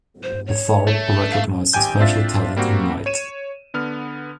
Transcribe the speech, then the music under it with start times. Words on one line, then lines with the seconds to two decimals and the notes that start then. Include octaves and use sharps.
Tharpe recognized a special talent in Knight.
0.23 C5
0.47 C#5
0.87 A3
1.32 F5
1.73 G#1 G4 G5 G#5 G6
1.99 C4 D4 F4 E5 A6
2.56 G3 A#3 C4 F#4
3.06 C#5 D#7 E7
3.74 D3 B3 F6